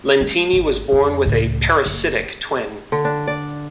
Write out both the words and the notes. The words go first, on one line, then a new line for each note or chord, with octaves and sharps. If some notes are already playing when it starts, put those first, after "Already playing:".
Lentini was born with a parasitic twin.
G#3
G#1
F2
C#2 A2
F#1
D3
D4
D5